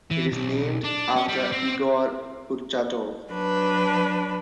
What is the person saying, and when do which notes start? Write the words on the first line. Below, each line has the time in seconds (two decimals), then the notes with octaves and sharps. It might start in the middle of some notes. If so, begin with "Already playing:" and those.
It is named after Igor Kurchatov.
0.11 E3
0.32 B1
0.84 D4
1.16 C#4
1.28 G3
1.52 C4
3.31 F#3 D4 B4